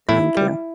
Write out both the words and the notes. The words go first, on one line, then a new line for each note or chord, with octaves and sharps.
Thank you.
A2 E4
G3